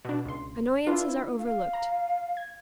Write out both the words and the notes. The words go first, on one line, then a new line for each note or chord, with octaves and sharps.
Annoyances are overlooked.
B2 D4
C#2 C6
D4 E4 F4 B4
F5
A#5
G#6